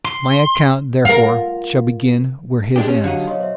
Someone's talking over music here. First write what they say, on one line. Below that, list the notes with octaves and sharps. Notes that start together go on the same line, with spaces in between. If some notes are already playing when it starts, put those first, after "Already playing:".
My account, therefore, shall begin where his ends.
C6
F4 A#4
G#3 D4 G4
C#4 G4
D3 F#3 D#4 F5
B1 C#5 D#5 C6
C5 E5